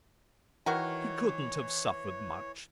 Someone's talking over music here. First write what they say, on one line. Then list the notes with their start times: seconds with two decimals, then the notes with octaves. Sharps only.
He couldn't have suffered much.'
0.66 D#3 E3 F#4 A#4 C#5